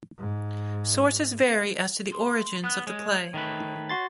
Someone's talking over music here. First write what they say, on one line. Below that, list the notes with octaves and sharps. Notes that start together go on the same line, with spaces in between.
Sources vary as to the origins of the play.
G#2
C6
B3 F#6
G#3 C#5
D#3 A3 B4
F#4 C6 A6